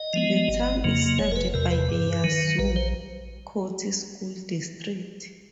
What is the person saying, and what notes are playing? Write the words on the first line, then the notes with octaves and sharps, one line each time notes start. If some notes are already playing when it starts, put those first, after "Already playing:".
The town is served by the Yazoo County School District.
Already playing: D#5
F3 G#3 B3
G1
F2 C#3 F#3 A#3
F#1 C#5
A#4
B4
E2 C3 A#4
B4
G2
D#3 F#3
A#1 B4
C5